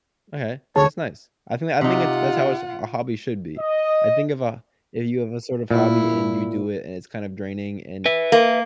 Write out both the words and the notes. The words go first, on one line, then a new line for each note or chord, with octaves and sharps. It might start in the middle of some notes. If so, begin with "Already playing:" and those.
Okay, that's nice. I think I think it's that's how a s a hobby should be. I think of a if you have a sort of hobby, and you do it, and it's kind of draining, and
D2 G#4 C#5 A5
C3 D#4 F4 F#5
D#5
A#2 E4
B4 E5
A#3